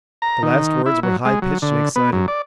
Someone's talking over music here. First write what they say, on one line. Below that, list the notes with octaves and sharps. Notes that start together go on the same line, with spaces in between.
The last words were high-pitched and excited.
A#5
D#3
E4
F#3
G#3
F#3
D3
B3
F#2
D5